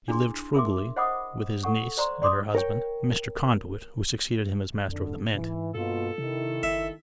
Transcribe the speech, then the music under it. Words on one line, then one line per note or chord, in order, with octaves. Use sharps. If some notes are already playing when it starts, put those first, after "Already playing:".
He lived frugally with his niece and her husband, Mr. Conduit, who succeeded him as Master of the Mint.
D4 E4 G#4 C6
G#4 A#4 E5 C6 D6
C5 D#5 F#5 B5 D6 D#6
A4 F#5 C#6
C5 D5 A#5 C6
D5 C6 D6 D#6
A#4 C#5 G5
F2 D3
G#2 E3
G2 B2 A#3 F4 A4
C3 D#3 E4
F#1 E5